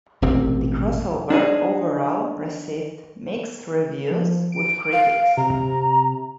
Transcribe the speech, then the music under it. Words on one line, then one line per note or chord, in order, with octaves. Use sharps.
The crossover overall received mixed reviews with critics.
E1 A1 C3 C4
D4 D#4 G#4
F3
D7
F5
C3 A#5